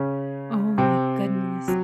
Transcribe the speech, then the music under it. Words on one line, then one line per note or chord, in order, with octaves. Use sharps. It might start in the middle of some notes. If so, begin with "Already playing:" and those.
Oh my goodness.
Already playing: C#3 C#4
C3 C4
F#3